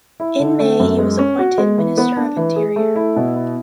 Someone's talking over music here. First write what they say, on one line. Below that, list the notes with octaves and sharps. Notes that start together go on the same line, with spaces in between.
In May he was appointed Minister of Interior.
E4
D3
A3
F#2
G#3
C#4
F#4
G#3
E3
B3
D4
E3
G#4
A3
E4
B2
E4